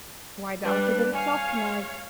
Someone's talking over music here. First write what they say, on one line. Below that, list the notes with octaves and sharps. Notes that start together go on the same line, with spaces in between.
Why, the alphabet itself connives.
G3 D4 B4
C#5 F5 G#5